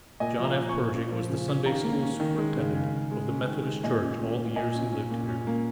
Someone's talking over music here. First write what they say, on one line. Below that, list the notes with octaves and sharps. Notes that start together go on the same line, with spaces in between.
John F. Pershing was the Sunday School superintendent of the Methodist Church all the years he lived here.
A#2 D#5 G#5
F3
F5 A#5
C#4
G#5 C#6
A#2
C#4
F3
C#3
C#4
D#3 F5 A#5
A#3
C#4
D#3
G#3
C#3
C#3
C#3
G#3
C#4
D#3
G#3
A#2 D#5 G#5
C#4
A#2
A#2
A#2 D#5 G#5
C#4
C#4
A#2
C#4
A#3